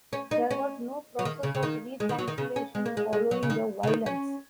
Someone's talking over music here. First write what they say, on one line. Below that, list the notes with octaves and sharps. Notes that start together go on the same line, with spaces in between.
There was no process of reconciliation following the violence.
C#4
D#4
C#4
F#3
D#3
C#3
C#3
D#3
G#3
D#3
F#3
D#3
C#3
C#4
G#3
A#3
G#3
G#3
F#3
C#3
D#3
C#3
D#3
C#4